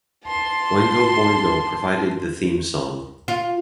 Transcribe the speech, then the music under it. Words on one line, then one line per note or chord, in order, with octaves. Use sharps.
Oingo Boingo provided the theme song.
A5 C6
F4